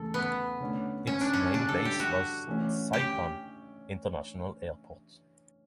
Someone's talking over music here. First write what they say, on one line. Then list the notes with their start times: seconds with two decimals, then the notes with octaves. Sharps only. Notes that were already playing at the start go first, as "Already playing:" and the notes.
Its main base was Saipan International Airport.
Already playing: E2 C#3 E3 A3 A4
0.14 B3
0.60 D3 A3 C#4
1.07 C#4
1.21 D4
1.33 C#4
1.54 G2 D3 G3 D4
1.69 A4
1.85 G4
2.00 F#4
2.47 E3 A3 C#4
2.93 G4